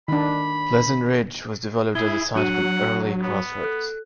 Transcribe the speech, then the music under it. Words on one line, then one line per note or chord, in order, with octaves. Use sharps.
Pleasant Ridge was developed at the site of an early crossroads.
D#3 D4 B5
E4 G#4 G#6 G7
F#3 D4 F#4 F#5 D#7
B3
A4 F#6